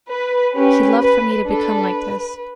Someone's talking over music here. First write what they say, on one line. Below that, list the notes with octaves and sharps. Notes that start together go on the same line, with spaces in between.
He loved for me to become like this.
B4
C#4 G4 B4
B4
D4 A4 B4